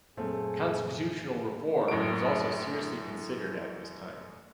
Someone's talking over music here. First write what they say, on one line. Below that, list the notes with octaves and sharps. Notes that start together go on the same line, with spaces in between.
Constitutional reform was also seriously considered at this time.
F#2 A#2 A3 C4 G#4
F#2 A2 F#4 D7